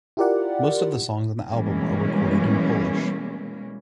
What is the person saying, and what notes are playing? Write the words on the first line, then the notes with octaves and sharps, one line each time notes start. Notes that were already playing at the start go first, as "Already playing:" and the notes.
Most of the songs on the album are recorded in Polish.
E4 F4 G4 A#4 D5 F#5
B2 E3 G3 G#3 A#3 C#4